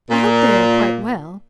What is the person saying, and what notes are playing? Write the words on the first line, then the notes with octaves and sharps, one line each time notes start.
I hope they are quite well.
A#2